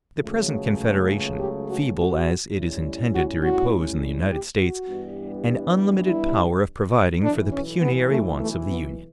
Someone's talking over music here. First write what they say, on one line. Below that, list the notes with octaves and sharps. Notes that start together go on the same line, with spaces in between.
The present Confederation, feeble as it is intended to repose in the United States, an unlimited power of providing for the pecuniary wants of the Union.
C#2 C#3 F#3 A3
G4
F#4
F#4
A2 G3 C#4 E4
F#4
F#4
G4
F#4
G2 E3 G3 B3
E4
B1 A2 E3 D4
C#4
B3
A3
A3
B3